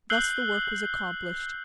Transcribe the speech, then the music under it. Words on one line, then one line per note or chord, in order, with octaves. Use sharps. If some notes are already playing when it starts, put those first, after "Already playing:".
Thus the work was accomplished.
E6 F#6 G6 C7 F#7 G7